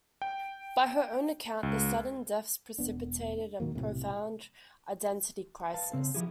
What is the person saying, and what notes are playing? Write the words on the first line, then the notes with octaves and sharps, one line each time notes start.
By her own account, the sudden deaths precipitated a profound identity crisis.
G5
C#2
E1 B3 D4
A#2 D#3 F#3 A#3
B1 A2 C3
B4 F5 A5
C#3 C4
F3 E4 G4 G#4